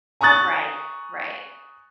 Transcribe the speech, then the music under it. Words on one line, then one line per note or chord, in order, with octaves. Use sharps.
Right. Right.
G#5 A#5 C#6 D#6 F#6 A6